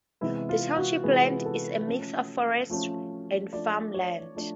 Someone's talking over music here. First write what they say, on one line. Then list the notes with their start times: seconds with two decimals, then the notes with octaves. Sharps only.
The township's land is a mix of forest and farmland.
0.21 C3 E3 G#3 B3 E4
0.49 F4
0.76 F#4
1.04 C3 E3 G#3 B3 G#4
1.46 A4
1.87 F3 A3 C#4
2.70 F3 A3 C#4
3.52 F3 A3 D4 D5
3.94 C#5
4.35 F3 A3 D4